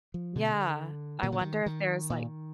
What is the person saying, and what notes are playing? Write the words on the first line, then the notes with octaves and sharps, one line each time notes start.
Yeah. I wonder if there's, like
F3
B2 D3
A#2 D#3
D3
D#3
D#3
A#2